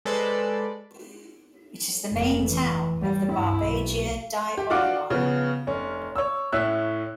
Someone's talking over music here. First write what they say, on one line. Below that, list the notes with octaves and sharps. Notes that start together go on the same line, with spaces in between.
It is the main town of the Barbagia di Ollolai.
G#3 A4 B4 C5 D5
F1 A#3
E3
G3
G2 E4
B1
G4
D4 F4 F#4 F#5 D6
C#3 F3 B3
F1 C#4
C#5 E6
A2 C#4 E5 E6 F#6